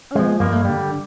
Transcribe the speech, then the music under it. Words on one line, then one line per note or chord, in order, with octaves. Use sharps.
"Oh, no!"
F3 G#3
G2 A#3
D3 G3